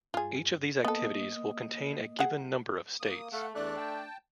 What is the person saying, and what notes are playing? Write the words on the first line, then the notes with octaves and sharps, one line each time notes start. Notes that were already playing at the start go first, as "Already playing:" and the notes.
Each of these activities will contain a given number of 'states'.
G2 F4 G#4
A#3 B3 A4 D#5 D#6
G#4 F#5
A#3 D#6
A3 F5 F#5
E2 A3 D4 D5 F#6
G5 A5